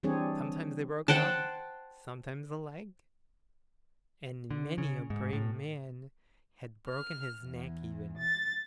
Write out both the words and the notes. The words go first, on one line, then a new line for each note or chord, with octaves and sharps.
Sometimes they broke an arm, sometimes a leg, and many a brave man had broken his neck even.
E3 G3 C4 D4 G#4 C#5
C5 F#5 G5 A5
D3
C#3
G#2
A2
F6
E2
A6